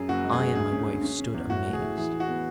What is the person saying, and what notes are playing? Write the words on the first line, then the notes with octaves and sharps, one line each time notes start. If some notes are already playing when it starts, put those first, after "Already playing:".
I and my wife stood amazed.
Already playing: F#2 G#4
F#1 F#4
G#3
G#4
G#3
D2 G#4
C#4
D3
C#4
C#4
E2
A2 F#4
A3
G#4
E4
E3 G#4
E3
F#4
B3